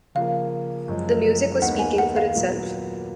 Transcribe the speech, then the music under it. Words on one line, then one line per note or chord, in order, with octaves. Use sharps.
The music was speaking for itself.
C#3 F3 A#3 F5
F#2 F3 G#3
D#2 D#3 G#3 B3 F#5
G#5
F#5
F5
A#2 F#3 B3 F4